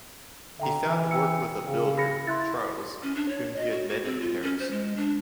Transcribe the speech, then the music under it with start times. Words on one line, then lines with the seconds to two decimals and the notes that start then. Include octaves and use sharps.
He found work with a builder, Charles, whom he had met in Paris.
0.60 D3 E5 G5 A#5
0.82 E3
1.11 G5 E6 C#7
1.64 C#3
1.98 B5 A#6 C#7
2.27 E4 C6 F#6 A6
3.03 C#4
3.15 D4
3.29 C#5
3.56 D#5
3.70 F#4
3.89 F#4
4.05 C4
4.20 F4
4.42 C#4
4.59 C5
4.71 G#3
4.96 D4